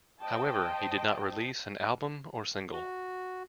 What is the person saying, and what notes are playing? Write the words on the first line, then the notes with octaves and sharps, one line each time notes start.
However, he did not release an album or single.
C5 D#5 G5 A5
F#4